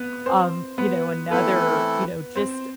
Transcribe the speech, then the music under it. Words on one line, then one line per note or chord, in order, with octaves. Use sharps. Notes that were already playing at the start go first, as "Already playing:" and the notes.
um, you know, another, you know, just
Already playing: B3 B4
C4 C5
B3 B4
E3 A3 B3 C4 E4 A4 B4
C4 C5